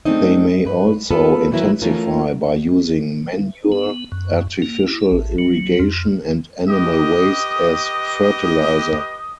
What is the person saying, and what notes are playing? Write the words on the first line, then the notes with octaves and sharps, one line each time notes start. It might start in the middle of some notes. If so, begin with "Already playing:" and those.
They may also intensify by using manure, artificial irrigation and animal waste as fertilizer.
G#3 A3 C4 D4 D#4 D#5
G2 B4
B3 F4 A4 B4
D#3 E3 F#3 E4 A#4 B4
E3 F3 A3 C#4 F4 A#4
B3
F#2
A#3
E4
A1
F#3
F2
G4 B4 D#5 D#6